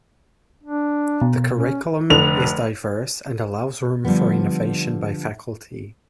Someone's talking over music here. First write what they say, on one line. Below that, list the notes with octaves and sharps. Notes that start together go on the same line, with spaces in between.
The curriculum is diverse and allows room for innovation by faculty.
D4
B2
C#4
F1 D3 F7
D3 F3 G3 B3